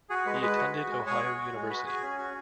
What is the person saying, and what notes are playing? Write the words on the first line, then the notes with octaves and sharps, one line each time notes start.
He attended Ohio University.
F#4 G#4
G#3 B4
G#3 B4
F#4
F#4
G#3
G#3 G#4 C#5
F#4
F#4
G#3
F#4 B4
F#4 G#4
C#4
F#4